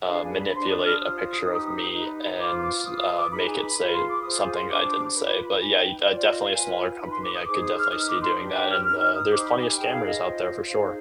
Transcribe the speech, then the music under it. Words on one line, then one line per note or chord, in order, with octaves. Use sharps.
uh, manipulate a picture of me and, uh, make it say something I didn't say, but yeah, you uh, definitely a smaller company, I could definitely see doing that, and, uh, there's plenty of scammers out there for sure.
D4 G#4 B4 F5
G#5
B5
D4 G4 C5 C6
D#6
F6
F4 C5 D#6
D#4 G4 B4
D#4 B4
F4 C5 D6
D6
F4 B4 D#6
D#6
D6
D#4 G#4 B4 B5
G#5
B5
F4 G#4 B4 B5
C6
D6
F4 G#4 C5 D#6
G#5
C6
D4 G4 C5 D6
F4 B4 B5
D#4 B4 G#5
G5
F4 C5 D5
D5
D#5
F5
F4 B4 G#5
D#4 B4 B5
C6
D6
D#6
D#4 G#4 C5 D6
D#6
F6
D#4 B4 D#6
D6
C6
D4 G4 B4
G5
F6
D#4 B4 F6
F6
D#6
D#4 G4 C5 D6
B5
G#5
D#4 G#4 B4 G5
F5
D#5
F4 C5
D#4 G#4 C5 F5